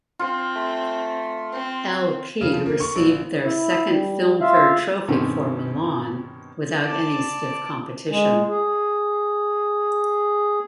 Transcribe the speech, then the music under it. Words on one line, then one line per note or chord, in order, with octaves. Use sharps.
L-P received their second Filmfare Trophy for "Milan" without any stiff competition.
C4 F4
A3
C4
C#3
F3
A#3
C#6
A#1
E4
G3
F4 E5 F5
G2 B2 D#3 C4 C#4
D5 A5
G#3
G#4